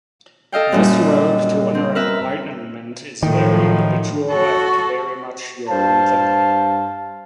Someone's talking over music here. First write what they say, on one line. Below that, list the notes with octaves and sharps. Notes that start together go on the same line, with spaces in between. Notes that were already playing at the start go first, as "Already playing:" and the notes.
This road to inner enlightenment is very individual and very much your own thing.
A4 D#5 F5 G5
F#2 A#2 G3
C4
A#4 B4 E5
A2 D#3 F3 F#3
F#4 A4
G2 C5 F5 A5